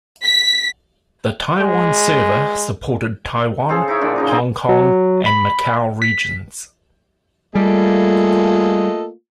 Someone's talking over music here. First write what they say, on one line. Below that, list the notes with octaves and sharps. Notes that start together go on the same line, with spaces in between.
The Taiwan server supported Taiwan, Hong Kong and Macau regions.
B6
G#3
C#3 G#4 A4 C5
D#4 E4 C#5
A#2 D3 F3 D4
C#3 D#4 A#4
B3 C4 D4 G#4
F#3
B5
B6
G3 A3 A#3 F4 G#4 A4 D#5